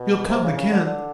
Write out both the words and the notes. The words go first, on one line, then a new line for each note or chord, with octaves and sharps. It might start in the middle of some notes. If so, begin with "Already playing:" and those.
"You'll come again?"
Already playing: B2
C3
C#3
C#3
D3
D3